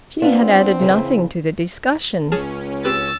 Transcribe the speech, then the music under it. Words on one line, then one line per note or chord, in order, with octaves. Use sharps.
She had added nothing to the discussion.
B3 C4 D4 F4
D#2 C#3 E3
C#2 C#4 G#4 A5 F6
C4 G4 B4 E6 A6